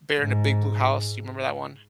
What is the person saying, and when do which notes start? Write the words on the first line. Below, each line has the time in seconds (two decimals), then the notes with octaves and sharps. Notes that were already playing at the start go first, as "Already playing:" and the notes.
Bear in a Big Blue House, do you remember that one?
0.21 G#2